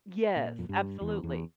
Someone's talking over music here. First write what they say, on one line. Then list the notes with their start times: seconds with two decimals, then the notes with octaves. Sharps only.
Yes, absolutely.
0.36 A#2
0.59 F2
0.69 G2
1.01 E2
1.23 E2